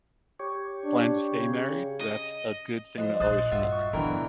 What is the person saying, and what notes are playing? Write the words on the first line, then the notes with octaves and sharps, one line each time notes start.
plan to stay married, that's a good thing to always remember.
G4 C#5
D4
C#3
D#5
F3 C5 D#5 F#5 C6
A#1 C5 D#6 F#6 A6
G2 F4 F#4 E5
C#6
F#2 B2 D3 E3 B3 A#4 G5